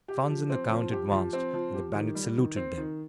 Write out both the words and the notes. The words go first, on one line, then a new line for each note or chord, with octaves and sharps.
Franz and the count advanced, and the bandit saluted them.
G4
F3
C4
F3
G4
F3
C4
F3
G4
D#3
G3
D#3
C4
D#3